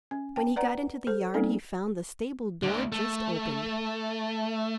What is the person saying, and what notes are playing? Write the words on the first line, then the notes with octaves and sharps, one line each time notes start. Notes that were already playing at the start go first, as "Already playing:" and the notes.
When he got into the yard he found the stable-door just opened.
C#4
G5 A5
B4 D5 F#5 A#5
A4 C5
G3 A#3 C4 C#4 D#4 A4
D2 D3
A3